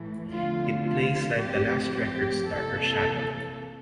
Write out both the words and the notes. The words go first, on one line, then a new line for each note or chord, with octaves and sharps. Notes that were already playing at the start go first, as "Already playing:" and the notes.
It plays like the last record’s darker shadow.
Already playing: A2 E3 A3
E2 D3 F3 A3 C4 F4
F4
A2 F3 A3 C4 G4
G4
C3 E3 A#3 A4